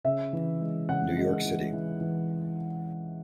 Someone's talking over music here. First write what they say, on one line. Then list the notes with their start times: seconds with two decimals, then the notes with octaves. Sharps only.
New York City.
0.04 C#3 E5
0.33 E3
0.61 G#3
0.89 C#3 F#5
1.17 G#3
1.45 E3
1.73 E3
2.01 E3